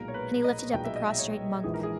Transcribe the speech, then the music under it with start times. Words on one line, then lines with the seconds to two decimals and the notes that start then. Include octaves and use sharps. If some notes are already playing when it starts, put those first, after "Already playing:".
And he lifted up the prostrate monk.
Already playing: B1 A#2 G#3 B3 A#4
0.08 C#5
0.14 B4
0.44 D#5
0.73 B1 A#2 G#3 B3 G5
0.84 E5
0.96 D#5
1.07 E5
1.19 C#5
1.63 A#1 G#2 E3 G#4
1.74 A#4
1.83 G#4